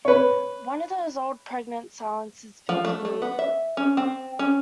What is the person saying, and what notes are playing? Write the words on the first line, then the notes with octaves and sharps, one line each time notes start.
One of those old pregnant silences filled the room.
B4 C#5
F3
A3
A3
B3
E5
C#4
C4
C#4